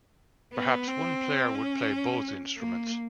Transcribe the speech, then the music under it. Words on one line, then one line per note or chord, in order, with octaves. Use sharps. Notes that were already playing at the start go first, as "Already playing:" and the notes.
Perhaps one player would play both instruments.
B3
C4
C#4
A#3